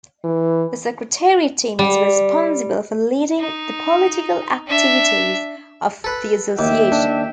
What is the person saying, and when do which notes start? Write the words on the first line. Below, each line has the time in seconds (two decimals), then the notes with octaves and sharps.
The Secretariat team is responsible for leading the political activities of the association.
0.24 E3
1.79 G3
3.40 D#4
4.67 D4 E5
6.04 A4 B4
6.59 D#2 E5 G5
6.92 D4